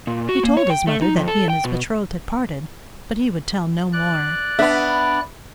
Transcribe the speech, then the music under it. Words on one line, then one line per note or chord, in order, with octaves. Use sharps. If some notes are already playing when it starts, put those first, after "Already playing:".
He told his mother that he and his betrothed had parted; but he would tell no more.
A#2
F#4
A#3
C#5
G5
A3
D#4
F2
A4
G5
B2
D5 F#6
B3 D4 E5